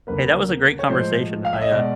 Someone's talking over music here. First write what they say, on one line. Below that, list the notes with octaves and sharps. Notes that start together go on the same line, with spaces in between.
Hey, that was a great conversation. I, uh
D2 C#3 F#3 A#3 B4
C#5
A2 F3 G#3 C5
F5
E5
D#5
B2 G#3 D5